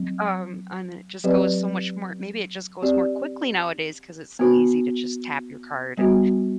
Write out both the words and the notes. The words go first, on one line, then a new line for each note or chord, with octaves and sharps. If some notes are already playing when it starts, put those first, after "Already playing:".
uh, um, and it just goes so much more Maybe it just goes more quickly nowadays cause it's so easy to just tap your card, and,
Already playing: F#3 C4
F#3 C4 G4 B4 D5
C4 G4 D5
B3 F#4 C5
G3 B3 F#4